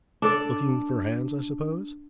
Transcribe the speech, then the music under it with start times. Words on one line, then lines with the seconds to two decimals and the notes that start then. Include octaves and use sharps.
'Looking for hands, I suppose?'
0.22 D4 A4 D5